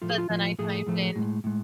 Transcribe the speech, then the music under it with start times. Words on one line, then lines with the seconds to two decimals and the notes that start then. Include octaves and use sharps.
But then I typed in
0.02 A2 F3 A3 F4
0.10 G#4
0.18 F4
0.30 A2 F3 A3 F4
0.59 A2 F3 A3 G#4
0.87 A2 F3 A3
1.16 A2 G#3
1.44 A2 G#3